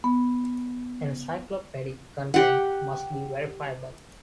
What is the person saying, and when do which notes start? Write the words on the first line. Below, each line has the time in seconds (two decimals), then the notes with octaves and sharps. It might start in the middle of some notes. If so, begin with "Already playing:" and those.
Encyclopedic content must be verifiable.
0.04 B3
2.34 G4 F#5